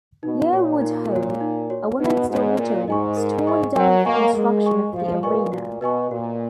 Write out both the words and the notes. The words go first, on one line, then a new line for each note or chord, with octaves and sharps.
Yearwood Hall, a women's dormitory, was torn down for construction of the arena.
B2 D#4
A#2 F#4 C#5
D#4
F#4 C#5
D#4
F#4 C#5
B2 D#4
G#2 F#4 C#5
A#2 A#4
G#2 D#5 G#5 C#6
A#4
D#5 G#5 C#6
F#3 A#4
A#3 D#5 G#5 C#6
G#3 A#4
D#5 G#5 C#6
F3 F#4
A#2 B4 D#5 G#5 C#6
A#2 F#4
B2 B4 D#5 G#5 C#6
A#2 F#4